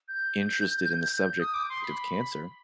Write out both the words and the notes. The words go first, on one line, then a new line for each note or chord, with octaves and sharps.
interested in the subject of cancer.
G6
D#6
D6
C6
B5